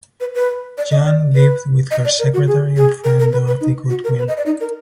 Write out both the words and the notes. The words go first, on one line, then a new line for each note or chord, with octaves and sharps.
Jean lived with her secretary and friend Dorothy Goodwin.
B4
B4
D5
D#5
D5
B4
D#5
D5
A#4
F#4
G#4
G#4
A#4
A#4
B4
B4
D#4
F#4
A#4
B4
D#5
D5
D#4
A#4